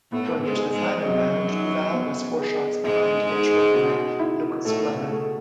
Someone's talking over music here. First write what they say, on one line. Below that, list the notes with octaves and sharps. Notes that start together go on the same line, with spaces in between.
Going into the final round, Duval was four shots behind eventual winner Lucas Glover.
A2 A3 B3
G#2 G#3
G#4
G#2 G#3
F#2 F#3 D#5
D#4
B3
G#4
G#2 G#3 D#5
D#4
B2
E4
A2 A3 A4
C#3
A3